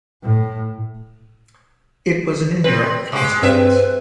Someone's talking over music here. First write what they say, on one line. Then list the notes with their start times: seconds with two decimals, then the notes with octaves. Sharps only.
It was an indirect consequence.
0.23 A2
2.64 C4 B4
3.12 G#3 G4
3.43 G2 C4 B4 E5